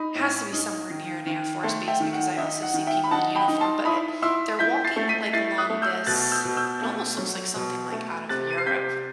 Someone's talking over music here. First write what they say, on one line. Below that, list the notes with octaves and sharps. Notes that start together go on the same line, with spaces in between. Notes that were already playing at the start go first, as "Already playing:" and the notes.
has to be somewhere near an Air Force base because I also see people in uniform, but it they're walking, like, along this it almost looks like something, like, out of Europe.
Already playing: D#4 B5 D#6
A2
D#4
D#3
D#3
A3 A5 C6
E5 G5
D#3
F#5
D#4 E5
F#5
D#3
E5 G5
B5
D#4 F#5 A5
G5 B5
D#4
A5 C6
E4 B5 D#6
E4 C6 E6
E4 G6 B6
A6 C7
A3
B6 D#7
E4 A6 C7
D#6 F#6
A3
E6 G6
B2 F#6 A6
E6 G6
B2
E6 G6
A3
F#3
B2
A3
C3 F#6 A6
D#7
C7
C3 G6 B6